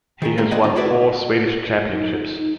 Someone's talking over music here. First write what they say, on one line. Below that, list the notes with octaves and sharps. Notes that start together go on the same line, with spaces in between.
He has won four Swedish Championships.
D#3 G#4 A#4
G3 A3 A#3 F4
G2 C4 G#4 D5 D#5 F#5
D3 C4 D#4 F4
E4 F#4 G#4 B4 D5
D#4